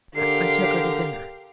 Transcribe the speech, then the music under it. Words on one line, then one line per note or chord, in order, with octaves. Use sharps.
I took her to dinner.
D3 G4 A#4 F5 C7